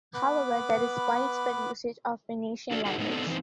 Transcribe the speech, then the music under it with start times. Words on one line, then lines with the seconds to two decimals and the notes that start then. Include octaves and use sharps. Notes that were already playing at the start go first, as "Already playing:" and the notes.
However, there is widespread usage of Venetian language.
0.14 B3 B4 B5 D6
2.71 D4 F#4 A4 D5
2.85 D4 D#4 F#4 G#4 A#4
2.98 A2 D#3 B3 D#4
3.10 B3 C4 D4 D#4 A4
3.27 E3 B3 C4 D#4 C5